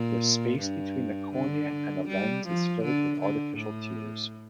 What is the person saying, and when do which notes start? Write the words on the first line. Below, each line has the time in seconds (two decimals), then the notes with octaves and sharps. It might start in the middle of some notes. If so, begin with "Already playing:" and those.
The space between the cornea and the lens is filled with artificial tears.
Already playing: A#2
0.60 G2
1.34 D3
2.08 G3
2.47 F3
2.84 D3
3.21 D3
3.58 A2